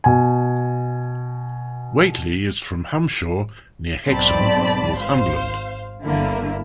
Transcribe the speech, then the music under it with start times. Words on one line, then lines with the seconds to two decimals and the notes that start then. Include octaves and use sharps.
Whately is from Humshaugh, near Hexham, Northumberland.
0.04 B2 G#5
4.08 B1 G#2 C4 D5 A5 B5
4.99 G#1 C5 F5
6.05 G1 D3 A#3 E4